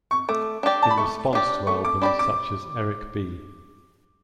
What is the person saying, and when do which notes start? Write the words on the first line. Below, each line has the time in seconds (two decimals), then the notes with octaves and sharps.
In response to albums such as Eric B.
0.11 C#6
0.29 A3 D6
0.63 D4 G4 D5
0.82 A5
0.90 B5
0.97 A3 C#6
1.33 D4 G4 D5
1.67 A3 C#6
1.85 D6
2.02 D4 G4 D5 B5
2.19 D6